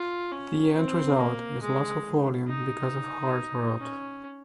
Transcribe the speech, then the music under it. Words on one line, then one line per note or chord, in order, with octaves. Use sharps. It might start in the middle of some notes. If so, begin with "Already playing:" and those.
The end result is loss of volume because of heart rot.
Already playing: F4
C#4
C4
A#3
G#3
D#4
C#4